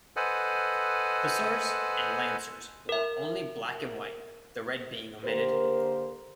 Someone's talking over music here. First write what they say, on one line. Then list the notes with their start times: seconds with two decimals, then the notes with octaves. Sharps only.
Hussars and lancers wore only black and white, the red being omitted.
0.16 A4 B4 C5 D#5 F#5 G#5
2.89 A#4 E5
5.24 D3 A#3 G4 A#4 C5